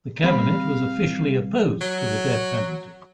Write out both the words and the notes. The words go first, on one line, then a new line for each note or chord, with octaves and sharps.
The cabinet was officially opposed to the death penalty.
G3 C4 F5 B5
F#3